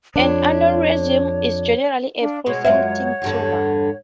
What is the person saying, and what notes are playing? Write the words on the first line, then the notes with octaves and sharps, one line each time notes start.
An aneurysm is generally a pulsating tumor.
F2 D4 C#5
D4 F5
B2 G#3 C#5 F#5
F#2 G#3 F4 E5
E2 G2 D3